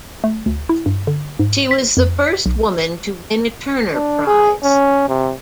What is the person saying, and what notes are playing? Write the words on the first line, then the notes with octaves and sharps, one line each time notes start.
She was the first woman to win a Turner Prize.
A3
D2
E4
G2
D3
G#2
B6
F2
B6
B1
D4
G#4
C#4
C3